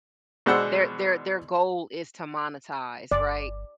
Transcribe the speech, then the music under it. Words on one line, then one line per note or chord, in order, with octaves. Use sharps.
their their their goal is to monetize, right?
B2 G#3 D4 C5 F#5 E6
G1 D5